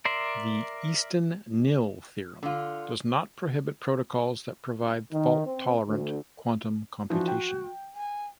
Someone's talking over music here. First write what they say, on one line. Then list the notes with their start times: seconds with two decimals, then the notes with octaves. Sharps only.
The Eastin–Knill theorem does not prohibit protocols that provide fault tolerant quantum computation.
0.05 A#4 D5 E5 C6
2.43 D3 F4
5.12 D#3
5.45 C4
5.89 D2
7.10 E3 F3 D4 F#4
7.28 G5
7.94 G#5